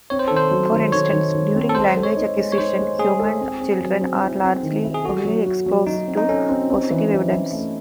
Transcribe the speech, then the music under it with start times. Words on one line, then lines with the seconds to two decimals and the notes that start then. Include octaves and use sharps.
For instance, during language acquisition, human children are largely only exposed to positive evidence.
0.10 C4 C#5
0.19 C5
0.28 D#3 A4
0.36 C5
0.51 F#3
0.72 D#3
0.92 D#3 C#5
1.13 D#3
1.35 D#3
1.55 C4
1.69 A4
1.75 G#3 C5
1.96 A4
2.03 C#5
2.16 D#4
2.36 G#3
2.52 C#5
2.58 D#4 C5
2.79 G#3
2.99 G#3 G#4
3.20 A4
3.41 C4
3.61 C4
3.81 F#3
4.01 C4
4.23 E4
4.43 C4
4.63 D#3
4.84 E4
4.94 G#4
5.04 F#4 A4
5.25 F#3
5.46 F#4
5.66 F#3
5.87 F#3 D#4
6.08 C4
6.18 D#4
6.29 C#4 A4
6.49 C4
6.70 C4
6.91 E3
7.11 C4
7.31 E4
7.52 A3